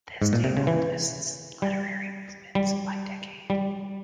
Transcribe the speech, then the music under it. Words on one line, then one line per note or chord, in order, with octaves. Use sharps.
This table lists literary movements by decade.
G#2
A#2
C3
C#3
E3
G3
G3
G3